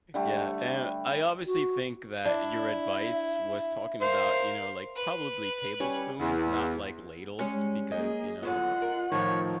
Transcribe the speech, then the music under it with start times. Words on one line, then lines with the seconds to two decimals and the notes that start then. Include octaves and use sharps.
Yeah, and I obviously think that your advice was talking about, you know, like, probably tablespoons, not, like, ladles because, you know,
0.14 D3 G3 A3
1.47 F#4
2.25 D4 E4 E5
4.01 A#4 C5 F5
4.96 B4
5.80 G3 C#4 C#5
6.20 E2
7.38 G3 G#3 C#4
7.92 A#3 G#4 D#5
8.43 D3 F#3 B3 F4 F#5
8.82 A#4
9.12 A2 D#3 F3 C#5